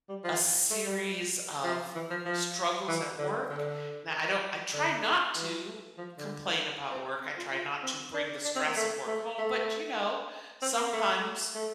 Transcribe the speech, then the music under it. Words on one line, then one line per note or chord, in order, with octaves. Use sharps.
a series of struggles at work, now I don't I try not to complain about work, I try not to bring the stress of work home, but, you know, sometimes
G3
F3
A3
G3
F3
E3
F3
F3
E3
D3
D3
D3
E3
F3
D3
C4
C4
F4
F4
C4
D4
D4
C4
A#3
A3
A3
A3
C4
A#3
A3
A3